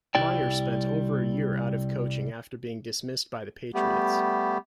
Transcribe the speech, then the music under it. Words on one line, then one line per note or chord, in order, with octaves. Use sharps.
Meyer spent over a year out of coaching after being dismissed by the Patriots.
C2 G3 E4 D5 G5
G3 A3 B3 G4